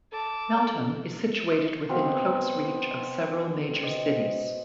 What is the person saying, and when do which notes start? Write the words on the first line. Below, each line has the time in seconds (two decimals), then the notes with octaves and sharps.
Meltham is situated within close reach of several major cities.
0.12 A4 A5 D6
1.89 B2 C4 B4 F5
3.83 D#5